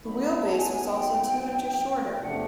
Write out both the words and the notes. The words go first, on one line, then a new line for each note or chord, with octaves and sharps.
The wheelbase was also two inches shorter.
F#3 B3 D#4 B5
A#5
A5
G#5
G5
E2 C3 F3 A3 D4 F#5